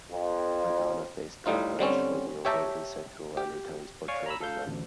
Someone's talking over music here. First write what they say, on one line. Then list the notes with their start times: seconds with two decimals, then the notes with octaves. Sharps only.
Madonna faced backlash for the overtly sexual undertones portrayed in them.
0.11 F2
1.46 A2 G3 D#4 F4
1.79 D3 G3 C4 C#4
2.45 G4 C#5 E5 G5 A5 A#5
3.37 G4
4.08 C#5 D5 F5 G#5 C#6 D6
4.26 A#5 B5 E6
4.41 A4 F5 G6
4.66 A1 D2